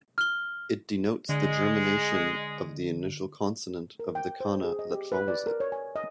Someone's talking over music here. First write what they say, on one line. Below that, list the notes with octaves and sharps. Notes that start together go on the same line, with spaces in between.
It denotes the gemination of the initial consonant of the kana that follows it.
F6 G7
D3 G#3
A#4
G5
C5
G#4
D#5
G4
B4
D5
A#4
C#5
G#5
D#5